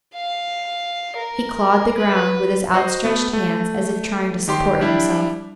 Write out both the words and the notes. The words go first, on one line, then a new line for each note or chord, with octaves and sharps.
He clawed the ground with his outstretched hands as if trying to support himself.
F5
A#4
B4
F#4 C5 D#5
A3 B3
A3
D#3 G4 C6
G3 D4 E4